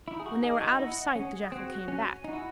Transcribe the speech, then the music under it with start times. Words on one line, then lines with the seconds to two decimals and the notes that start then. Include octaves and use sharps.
When they were out of sight the jackal came back.
0.07 D#4 E4
0.20 G#4
0.26 F#4
0.43 G#4 D#5
0.61 F#4
0.71 D#4
0.79 E4 F#5
1.15 C#4 G#4
1.52 C4 F#4
1.88 C#4 G#5
2.24 D#4 F#4
2.33 E4